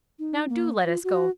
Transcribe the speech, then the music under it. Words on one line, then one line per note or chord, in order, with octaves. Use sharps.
Now DO let us go.
D#4
A#3
F4
F#4